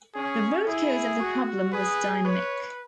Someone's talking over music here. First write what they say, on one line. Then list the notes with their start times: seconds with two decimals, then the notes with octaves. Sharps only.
The root cause of the problem was dynamic.
0.14 C#4 G#4
0.66 E4 G#4
1.19 F#4
1.72 G#4 B4
2.24 B4 C#5